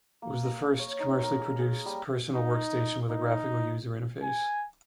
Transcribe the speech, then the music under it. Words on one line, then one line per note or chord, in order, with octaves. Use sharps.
It was the first commercially produced personal workstation with a Graphical User Interface.
A#3
A#4
C#5
D#4
A#4
G#4
G#4
G3
D#4
D#4
G#5